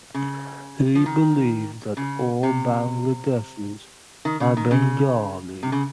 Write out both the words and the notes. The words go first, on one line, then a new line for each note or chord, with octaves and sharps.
He believed that all Bangladeshis are Bengali.
C#3
F3
D#3
C#3
C3
D#3
C#3
D#3
C#3
C3
C#3